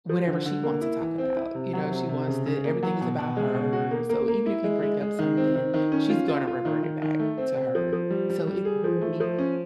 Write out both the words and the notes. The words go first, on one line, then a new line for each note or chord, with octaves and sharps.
whatever she wants to talk about, you know, she wants to everything is about her, so even if you bring up something, she's gonna revert it back to her, so it's really
F3
D3
D3
A#3
E4
E3
C4
E4
C3
F#3
C3
C3
C#3
C#3
A#3
F#3
B2
B2
G#3
B2
F#4
A#3
A#3
A#3
E4
G#3
G#3
G#3
D#3
C4
D#3
D#3
C#4
F4
F4
F4
D#3
D#3
D#3
A3
C4
C4
F3
F3
G3
G3
G3
G#4
F3
A3
F3
C#4